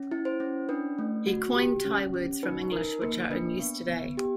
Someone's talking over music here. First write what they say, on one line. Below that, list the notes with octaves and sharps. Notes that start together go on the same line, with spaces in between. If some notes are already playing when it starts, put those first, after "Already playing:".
He coined Thai words from English which are in use today.
Already playing: C#4
E4
C5
C#4
D4 B4
A3
F#4
G4
C#4
C#4
D#4 B4
D#4 A#4
A#3 B4
D4 B4
B3
B3
G4